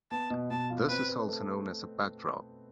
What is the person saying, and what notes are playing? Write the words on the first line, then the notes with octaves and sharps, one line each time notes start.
This is also known as a backdrop.
B3 A5
B2
B2 A5
F4
C4 B4
B4
A3